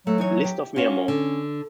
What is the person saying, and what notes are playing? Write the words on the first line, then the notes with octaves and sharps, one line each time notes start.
List of Mirmo!
F#3 A3
E3 D#4 C#5
G4
C#4 F4 F#4 C#5
D3